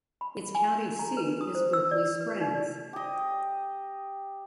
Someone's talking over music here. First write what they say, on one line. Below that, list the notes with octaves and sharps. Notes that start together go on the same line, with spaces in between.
Its county seat is Berkeley Springs.
B5
G#5
A#5
B4
D#6
C5
E6
D5
B4
D#4
D5
G4 D#5